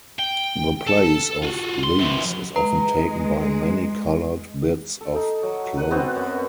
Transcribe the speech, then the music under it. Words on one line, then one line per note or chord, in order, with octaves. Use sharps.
The place of these is often taken by many-colored bits of cloth.
G5
A4 A5
F4 F#4
C6
F#2 B3
G#3 B4 A#5
A4
D#4
F#3
B4 F#5
B3 C4 F#4
F#2